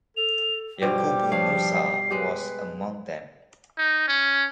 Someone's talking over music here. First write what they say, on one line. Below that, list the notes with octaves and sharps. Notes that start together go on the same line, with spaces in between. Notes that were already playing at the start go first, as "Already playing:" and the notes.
Yakubu Musa was among them.
A4 F7
G2 B2 F3 G3 G5 D6
F3 D4 C#5 F5 C7
G#3 G4 B4
D#4
C#4